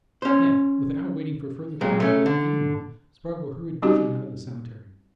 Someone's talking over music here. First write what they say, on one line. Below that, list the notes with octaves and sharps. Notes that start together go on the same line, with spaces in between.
Then, without waiting for further talk with any one, Spargo hurried Breton out of the cemetery.
C#4 C5
A#2 F#3 G#3 C4
A3 C#4
D3
G3 C4 C#4 D#4 F#4 G4